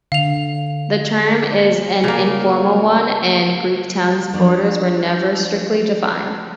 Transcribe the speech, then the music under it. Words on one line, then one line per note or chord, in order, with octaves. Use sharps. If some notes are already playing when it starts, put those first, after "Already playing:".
The term is an informal one, and Greektown's borders were never strictly defined.
D3 F5 F7
C#3 A#3
F3 F#3 G#3 B3 D4